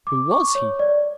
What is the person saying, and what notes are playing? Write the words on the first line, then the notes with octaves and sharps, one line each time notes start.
Who was he?
D6
C#6
C#5
D5